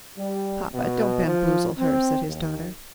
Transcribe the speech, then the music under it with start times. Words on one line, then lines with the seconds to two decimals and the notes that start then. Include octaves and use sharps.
"Papa, don't bamboozle her," said his daughter.
0.17 G3
0.74 B2
1.27 F3
1.78 C4
2.27 D#2